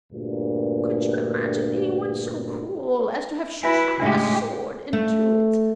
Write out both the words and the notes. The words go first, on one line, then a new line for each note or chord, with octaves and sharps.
Could you imagine any one so cruel as to have struck a sword into it?
D2 G2 A#2
E4 F#4 B4 E5 G#5
A2 C#3 G#3 D4 G4 E5
A3